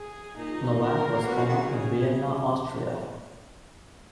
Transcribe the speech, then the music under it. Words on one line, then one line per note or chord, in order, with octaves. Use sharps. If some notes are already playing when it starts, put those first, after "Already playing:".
Nowak was born in Vienna, Austria.
Already playing: G#4
A#2 D#4
B2
A#2 A#4
A#2
D#3
C#3
B3
A#3
B3 F#4
F3
C#3
D#3
C#3
G#4